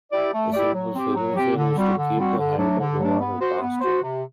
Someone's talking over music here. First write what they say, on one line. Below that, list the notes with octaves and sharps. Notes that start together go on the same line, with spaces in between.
A simple solution is to keep the height of the water constant.
E4 G4 D5
A3
E4 G4 D5
F#3
C4 G4
F#3
C4 G4
D3
G3 C4 F#4
D3
G3 C4 F#4
D3
F#3 A3 D4
D3
F#3 A3 D4
B3
F#4 C5
B3
F#4 C5
C3